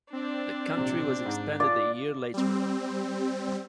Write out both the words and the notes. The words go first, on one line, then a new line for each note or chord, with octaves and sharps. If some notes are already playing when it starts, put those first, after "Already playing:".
The county was expanded a year later.
C4 D4 D5
A#1 C3
G#2
F4 D5
G3 C4